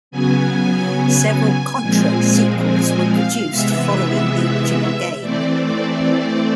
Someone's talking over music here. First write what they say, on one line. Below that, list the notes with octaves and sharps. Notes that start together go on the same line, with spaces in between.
Several "Contra" sequels were produced following the original game.
C#3 F#3 B3 G#5
A#2 F3 G#3 C4
G#5
F5
C3 E3 G#3 B3 E5
E3 A3 C4 D5
D5